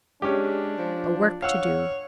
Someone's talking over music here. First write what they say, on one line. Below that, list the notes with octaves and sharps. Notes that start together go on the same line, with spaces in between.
A work to do.
G#3 C#4 D4 G4
F3
C#5 F5 F#5 E6